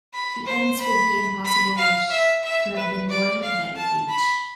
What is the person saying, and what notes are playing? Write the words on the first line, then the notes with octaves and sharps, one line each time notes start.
He ends with the impossible wish to have been born in a better age.
B5
C5
B5
B5
F5
E5
E5
B4
D5
F5
A5
B5